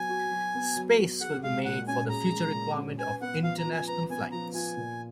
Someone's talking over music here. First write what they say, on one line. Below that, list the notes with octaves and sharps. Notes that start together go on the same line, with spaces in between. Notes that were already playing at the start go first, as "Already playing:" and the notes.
Space will be made for the future requirements of international flights.
Already playing: F#3 B3 G#5
F#4
F#3
B3
F#3
F#4
G#4 F#5
G#3 F5
A#2 F#5
C#4 G#5
G#4 A#5
G#3
A#2
C#4
B4 G#5
B3 F#5
F3 F5
A#5
F4
G#5
B4 A#5
B3 G#5
F3 A#5
F4 G#5
A#2